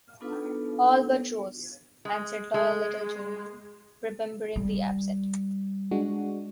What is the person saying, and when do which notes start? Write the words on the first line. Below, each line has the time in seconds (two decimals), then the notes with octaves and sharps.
"All but Rose," answered loyal little Jamie, remembering the absent.
0.21 B3 D4 D#4 F4 A4 B4
2.05 G#3
2.54 G#3
4.56 G3
5.91 G#3 D4 F#4